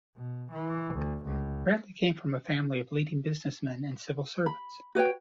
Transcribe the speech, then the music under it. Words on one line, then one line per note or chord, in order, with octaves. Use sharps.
Bratlie came from a family of leading businessmen and civil servant.
B2
E3
D2
C#2
B5
F#4 B4 C#5 G5